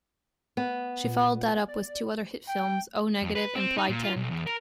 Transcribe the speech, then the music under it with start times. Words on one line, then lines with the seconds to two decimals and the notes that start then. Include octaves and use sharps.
She followed that up with two other hit films, O-Negative and Plai Tien.
0.57 B3
1.04 A#2
1.68 D5
2.48 G5
3.22 F2
3.35 B4
3.55 C4
3.78 D#4
3.89 A#2
4.03 F4
4.16 B1
4.31 E2
4.47 A#4